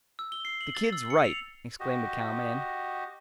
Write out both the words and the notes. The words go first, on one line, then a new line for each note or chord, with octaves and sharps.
"The kid's right," exclaimed a cowman.
E6
G7
C7
F#7
A6
E6
C#7
F7
F#4 G4 D#5